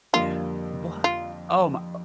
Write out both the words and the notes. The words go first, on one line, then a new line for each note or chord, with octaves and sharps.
Yeah, what? Oh, my, uh
F2 D3 G3 A#3 F4
F4